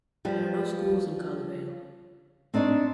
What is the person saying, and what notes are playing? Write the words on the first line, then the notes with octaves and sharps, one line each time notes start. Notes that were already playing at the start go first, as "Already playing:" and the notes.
There are no schools in Caldervale.
F3 G3 B4
C4 D4 D#4 C5 C#5